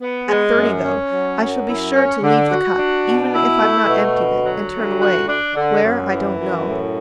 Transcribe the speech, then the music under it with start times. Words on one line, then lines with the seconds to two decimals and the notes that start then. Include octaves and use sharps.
At thirty, though, I shall be sure to leave the cup, even if I've not emptied it, and turn away--where I don't know.
0.01 B3
0.29 G#3
0.56 F#2
0.83 C#4
1.12 F#3
1.39 F#2
1.67 E4
1.95 C#4
2.23 D3
2.51 F#4
2.78 D4
3.05 B2
3.34 E4
3.61 A3
3.88 B2
4.16 D2
4.45 F#3
4.72 D2
5.00 F#4
5.28 D4
5.55 D3
5.83 F#2
6.11 E3
6.38 F#2
6.66 A2